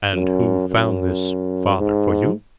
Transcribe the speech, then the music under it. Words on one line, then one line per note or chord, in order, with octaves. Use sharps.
"And who found this father for you?"
F#2
F#2
G#2